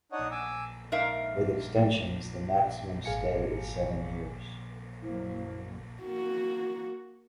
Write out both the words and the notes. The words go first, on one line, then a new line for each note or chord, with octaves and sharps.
With extensions, the maximum stay is seven years.
D4 D#4 C#5 D#5 F#5
G#5 D6 E6
G#2 A#4 E5 F5
G#1 G#2 G#4 F5 G#5 C#7
F#1 A#3 E4 C5
A#3 F#4